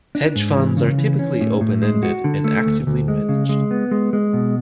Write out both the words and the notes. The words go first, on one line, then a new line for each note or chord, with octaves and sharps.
Hedge funds are typically open-ended and actively managed.
D4
G#2
E3
C#3
E3
C#4
A2
A2
G#3
F#4
D3
A3
D2
D2
G#3
C#3
G#3
B3
G#3
G#3
B2